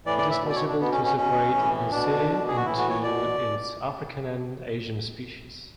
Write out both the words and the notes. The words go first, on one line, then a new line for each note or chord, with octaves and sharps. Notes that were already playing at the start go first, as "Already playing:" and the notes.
It is possible to separate "Ensete" into its African and Asian species.
A2 E3 D5
D5
E5
B2
D5
C#5
D4
B2 B3
C#4
C#4
B2 C#4
A2 E3
B2 D4
B2
G#4
F#4
A2 E3 E4
F#4
C#5
B2 D5